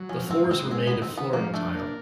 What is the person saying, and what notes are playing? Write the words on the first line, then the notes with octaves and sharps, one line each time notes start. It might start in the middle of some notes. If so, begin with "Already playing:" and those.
The floors were made of flooring tile.
Already playing: F#3
F3 C#4
G#2 C4
G#2 C4
G#3 C4
D#3 B3
C4
D#3
B3
F3 A#3
A3 D4
A#3